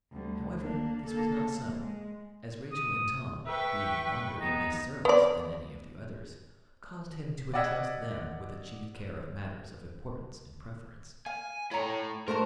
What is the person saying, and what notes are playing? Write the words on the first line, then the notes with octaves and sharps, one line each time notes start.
However, this was not so, as Rachel and Tom, being longer in his service than any of the others, caused him to intrust them with the chief care of matters of importance in preference.
D2 G3
A#3 D4
A#3 A4
A#3
G#3
D#6
B4 E5 G5 C#6
B3 D#4
B3 D5
D5 D#5 F#5 E6 G#6 B6
F5 G#5
E4 A4 C#5 A#5
A3 D4 F#4 A#4 C5 A5